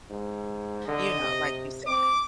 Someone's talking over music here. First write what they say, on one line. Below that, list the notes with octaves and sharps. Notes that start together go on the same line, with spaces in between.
you know, like you said
G#2
D3 D#5
C3
C4 D6